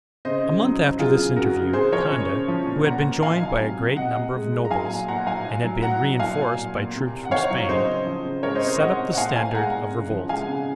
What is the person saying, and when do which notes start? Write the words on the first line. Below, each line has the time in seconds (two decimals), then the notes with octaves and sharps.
A month after this interview, Conde, who had been joined by a great number of nobles, and had been re-enforced by troops from Spain, set up the standard of revolt.
0.25 C#3 C5 D#5
0.44 C#3
0.62 F#3
0.81 F#3
0.99 F#3 F4 G#4
1.18 C#3
1.36 C#3 F#4 A#4
1.55 C#3
1.73 C#3 G#4 C5
1.92 F3 A#4 C#5
2.11 C#3
2.30 C#3
2.48 F3
2.66 A#2
2.85 A#2 F#5 A#5
3.04 A#2
3.22 D#3 F5 G#5
3.41 F#3
3.60 C3
3.78 C3
3.96 C3 D#5 F#5
4.15 C3
4.34 G#3
4.53 G#3
4.65 A#5
4.71 F#3 F5 G#5
4.90 A#2
5.08 A#2 F#5 A#5
5.27 F#3 F5 G#5
5.46 F#3
5.64 F#3
5.82 F#3 F#5 A#5
6.01 F#3
6.19 A#2 F5 G#5
6.38 F#3
6.57 A#2
6.75 A#2
6.94 C3
7.13 C3
7.25 F#5
7.31 D#3 C#5 F5
7.50 F#3
7.69 C#3 C5 D#5
7.87 C#3
8.06 F3
8.24 C#3
8.43 G#3 A#4 C#5
8.55 C5 D#5
8.62 C3
8.68 C5 D#5
8.80 G#3 D#5 F#5
8.99 C3
9.13 F#5
9.17 A#2 F5 G#5
9.36 A#2 F5 G#5
9.55 G#3 F#5 A#5
9.73 A#2
9.92 C#3
10.11 F3
10.29 G#3 F5 G#5
10.47 C#3